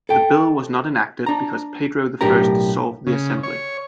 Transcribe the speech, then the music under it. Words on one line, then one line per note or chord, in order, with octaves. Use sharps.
The bill was not enacted because Pedro the First dissolved the Assembly.
A4 G5
D4 A#5
B1 A2 D4 G4 A#4 A#5
C#3
C#5